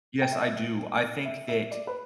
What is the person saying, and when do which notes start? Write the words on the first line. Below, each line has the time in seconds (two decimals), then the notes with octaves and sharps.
yes, I do. I think that
0.22 G5
0.32 E5
1.25 E5
1.49 E5
1.71 D5
1.87 B4